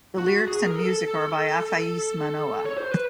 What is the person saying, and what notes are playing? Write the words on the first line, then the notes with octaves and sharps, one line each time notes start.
The lyrics and music are by Afaese Manoa.
F#4
G#4
A#4
A4
C#5
C5
B4